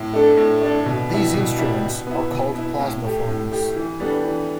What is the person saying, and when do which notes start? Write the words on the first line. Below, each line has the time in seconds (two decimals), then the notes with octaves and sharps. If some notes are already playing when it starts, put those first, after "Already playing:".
These instruments are called plasmaphones.
Already playing: A2
0.13 A3 D4 A4
0.37 A2
0.61 A3 D4 A4
0.86 B2
1.10 G3 E4
1.34 B2
1.58 G3 E4
1.82 B2
2.07 B3 E4
2.31 B2
2.55 B3 E4
2.79 A2
3.04 A3 G4
3.28 A2
3.51 A3 G4
3.76 E3
4.00 G3 B3 D4 A4
4.24 E3